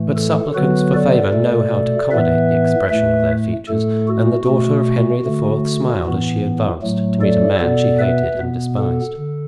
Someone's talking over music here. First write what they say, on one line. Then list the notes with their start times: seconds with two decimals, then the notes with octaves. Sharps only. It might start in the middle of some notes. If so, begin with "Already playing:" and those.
But supplicants for favor know how to accommodate the expression of their features, and the daughter of Henry IV. smiled as she advanced to meet a man she hated and despised.
Already playing: A2 E3 A3
0.16 A4
0.55 D3 F#3 B3 F#4 B4
0.94 A4 D5
1.33 B2 A3
2.11 A2 E3 B3 B4 E5
2.89 A2 A3 B4 E5
3.68 A2 A3 A4
4.08 F#4
4.46 B2 A3 F#4
5.25 D3 A3
6.04 A2 E3 B3
6.82 A2 F#3 A3
7.21 A4 D5
7.60 B2 B3 A4 D5
7.99 B4 E5
8.39 B2 B3
8.77 A4
9.17 D3